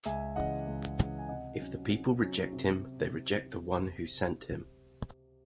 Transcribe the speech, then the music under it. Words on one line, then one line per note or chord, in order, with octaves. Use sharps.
If the people reject him they reject the one who sent him.
C#2 E5 G#5
C#3 E3 D#5 F#5
C#2
C#3 E3
G#5
C3 D#5 F#5
F#3 C#4
C3
F#3 C#4
C3